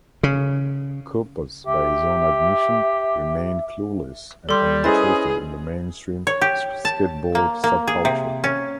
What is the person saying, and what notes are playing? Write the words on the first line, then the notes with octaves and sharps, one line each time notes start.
Kaupas by his own admission remained clueless and uninterested in the mainstream skateboard subculture.
C#3
G4 E5
G3 A4 C6
C#4 E4 G#4 B4 C5 D#5 A6
C#5
G4
A5
A#3
A#3
G#4
C3
C#4